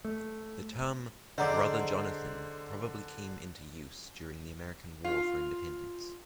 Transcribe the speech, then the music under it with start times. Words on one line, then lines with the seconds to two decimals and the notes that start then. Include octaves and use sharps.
The term "Brother Jonathan" probably came into use during the American War for Independence.
0.05 A3
1.38 D3 G#4 A4 C5 D5 D#5 F#5 A#5
5.04 F4